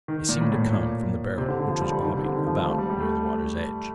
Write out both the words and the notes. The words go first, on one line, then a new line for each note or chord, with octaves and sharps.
It seemed to come from the barrel which was bobbing about near the water's edge.
D#3
A#2
A2
A2
A#2
A#2
C3
D3
D3
F3
G3
G3
D#3
C3
D3
D#3
F3
G3
A3
G3
G3
A3